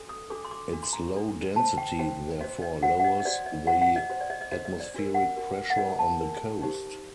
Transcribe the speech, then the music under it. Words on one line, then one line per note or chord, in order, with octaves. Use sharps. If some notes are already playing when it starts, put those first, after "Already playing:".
Its low density, therefore, lowers the atmospheric pressure on the coast.
Already playing: D4 F#4 A4
D#6
D4 F#4 A4 D6
C6
D6
D4 F#4 A4
C6
A#5
D4 F#4 A4
F#4 C5 A5
G5
F#4 C5 G5
F#4 C5 D#5
D#5
F#4 C5 F#5
F#5
D#5
D#5
F#4 C5 D5
D#5
F#4 C5 F#5
F#5
D#5
F#4 C5
D5
D#5
D#5
F#4 C5 D#5
D#5
D5
D4 F#4 A#4
F#5
D4 F#4 A#4
F#5
D4 F#4 A#4 D#5
A5
D4 F#4 A#4
D#4 G4 C5